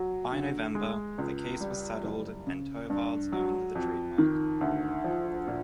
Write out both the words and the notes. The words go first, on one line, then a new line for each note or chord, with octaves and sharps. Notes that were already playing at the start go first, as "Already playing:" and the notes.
By November, the case was settled and Torvalds owned the trademark.
Already playing: F#3
D3
G#3
C#2
G3
F#1
C#3
G2
F#3
F2
D#3
D2
F3
A#2